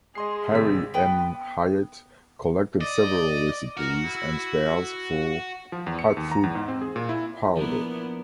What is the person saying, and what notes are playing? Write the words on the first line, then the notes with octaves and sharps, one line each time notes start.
Harry M. Hyatt collected several recipes and spells for hot foot powder.
G#3 G#4 D#5 C6 C7
G#1 C3 B6
B3 G5
D5 D#5
F#4 A#4
E4
F3
E2
C#7
D#2
A#5
E2
G#2
C4
G#4
A#2
E4
F3 A#3 B3 D4 E4 A#4